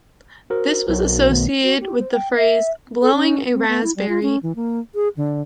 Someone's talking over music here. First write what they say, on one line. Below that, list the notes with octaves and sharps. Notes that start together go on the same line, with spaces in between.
This was associated with the phrase "blowing a raspberry".
F#4 A#4 C5
B1
D#3 A3 B3
F#4
G4
C5
G5
E5
A4
C#4
C4
B3
E4
G3
F4
C#4
E3
A#3
G#4
D3